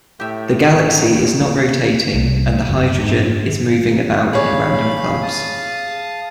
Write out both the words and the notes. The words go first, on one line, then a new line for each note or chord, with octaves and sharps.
The galaxy is not rotating and the hydrogen is moving about in random clumps.
A2 G4 E5
F2 G#2 C#3 A4 C#5
A#3
C2
F#1
G#2
G#4 C#5 D5 F5 B5
F5 A5 D#6